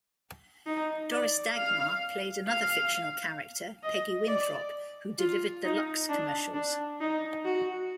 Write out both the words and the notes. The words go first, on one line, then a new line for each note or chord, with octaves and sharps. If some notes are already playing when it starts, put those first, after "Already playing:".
Doris Dagmar played another fictional character, Peggy Winthrop, who delivered the Lux commercials.
D#4
D5
F5
F5
D#5
D5
F4
D#4
D4
D4
D#4
F#4